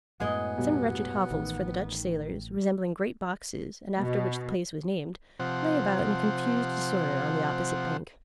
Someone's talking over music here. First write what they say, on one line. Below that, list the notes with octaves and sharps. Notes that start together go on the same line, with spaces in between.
Some wretched hovels for the Dutch sailors, resembling great boxes, and after which the place was named, lay about in confused disorder on the opposite bank.
F#2 A2 F#3 G#3 B3 G#4 D#5
B1 G3
A1 D#3
B2
C3 F3 C5 F#5